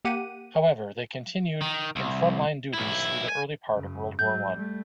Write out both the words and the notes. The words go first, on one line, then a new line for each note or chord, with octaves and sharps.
However, they continued in front-line duties through the early part of World War One.
A#3 G4 F#5 D#7
D#3
C2
B1 E4
G#5
F#2 C#3
G#2 F#3 G6
G3 A3